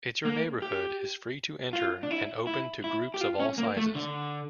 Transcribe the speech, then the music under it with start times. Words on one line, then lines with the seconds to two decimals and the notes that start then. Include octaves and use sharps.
It's Your Neighbourhood is free to enter and open to groups of all sizes.
0.25 A#3
0.62 G4
1.73 F4
2.03 D4
2.11 E4
2.47 E4
2.84 E4
3.14 G4
3.21 F4
3.40 C#4
3.58 A#3
3.77 A3
3.95 D3